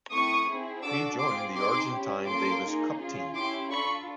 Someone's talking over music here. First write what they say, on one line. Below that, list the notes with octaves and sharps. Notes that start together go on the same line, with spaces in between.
He joined the Argentine Davis Cup team.
A3 C4 E4 C#6 D#6
C4 E4 G#4
D4 F#4 A4 D6 E6
C4 F4 G#4 C6 D6
C4 D#4 G#4 C6 D6
C#4 E4 G4
A#3 C#4 F4 A4 C6 D6
A#3 D#4 G#4
C#4 F4 G#4
C#4 E4 G4 C6 D6
D4 F4 A4 B5 C#6